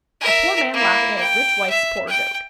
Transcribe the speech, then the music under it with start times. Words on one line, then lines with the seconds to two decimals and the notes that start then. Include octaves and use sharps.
A poor man laughing at his rich wife's poor joke.
0.20 A#4 E5
0.73 A#3 E4
1.20 G5
1.70 E5
2.08 G5